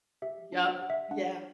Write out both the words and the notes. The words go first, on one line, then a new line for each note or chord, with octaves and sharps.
Yep, yeah.
G4 E5
D4
F#5
G4 F#5
E5
D4 F#5